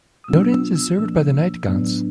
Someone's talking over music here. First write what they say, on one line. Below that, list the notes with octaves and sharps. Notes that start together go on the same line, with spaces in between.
Nodens is served by the Nightgaunts.
D#6
B2 F#3 B3 D4 F4 E6
E6
E6
A#2 F3 A#3 D4 E6
A2 F#3 B3 D4